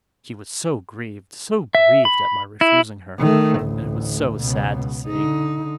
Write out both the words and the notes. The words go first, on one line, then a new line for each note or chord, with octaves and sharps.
And she was so grieved, so grieved at my refusing her. And it was so sad to see....
E5
B5
E4
D#3 A3
A1 D2
C#2 B2
D3 D#4